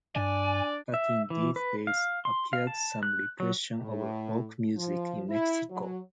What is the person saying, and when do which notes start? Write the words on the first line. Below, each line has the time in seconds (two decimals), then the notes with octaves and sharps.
But in these days appeared some repression of rock music in Mexico.
0.16 G2 D4 D5 G#5
0.94 E5
1.30 E3
1.56 B4
1.87 F5
2.25 C6
2.53 F5
2.67 A5
3.03 F#6
3.40 F#3
3.78 A2
4.77 F3
5.29 E4
5.70 F#3